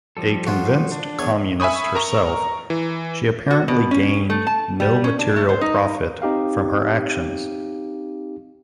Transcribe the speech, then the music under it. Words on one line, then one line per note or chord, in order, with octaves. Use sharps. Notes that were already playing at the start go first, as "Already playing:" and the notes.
A convinced communist herself, she apparently gained no material profit from her actions.
F3 G3 A4
F4 F#4
D4
E2 C#5 C#6
E5 G#5 B5 C#6 D#6
A#4 A#5 C#6
E3
F#4
B2
C#4
A3
A5
G3
C#4
D4
A3
C5
D#4
C4 D#4 G4 F5